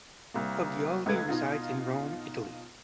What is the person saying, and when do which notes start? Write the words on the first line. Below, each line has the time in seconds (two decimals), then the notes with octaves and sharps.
Poggioli resides in Rome, Italy.
0.34 C2 A#3
1.06 C#2 A3 B4 G#6
1.29 B2 D#4 F4